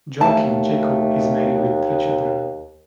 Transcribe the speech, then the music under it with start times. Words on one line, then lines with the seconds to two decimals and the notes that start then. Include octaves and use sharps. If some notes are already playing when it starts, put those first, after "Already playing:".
Joachim Jacob is married with three children.
0.21 D#2 A3 A5